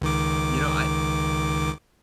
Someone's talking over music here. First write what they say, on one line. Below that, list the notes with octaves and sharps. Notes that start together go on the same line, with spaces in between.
You know, I, uh
C#2 D#3 D6